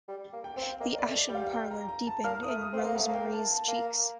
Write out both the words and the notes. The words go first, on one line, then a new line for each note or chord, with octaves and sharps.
The ashen pallor deepened in Rose-Marie's cheeks.
G3
A#3
G5
C4 G5
F5
A#3 D#5
D5
A3
G3 G5
F5
G5
A#5
A#5
A5
A#3 F6
D#6
A3
D#6
C4
F5
A#3
A3 F5
A#3
G5
A5
A5
A#3 A#5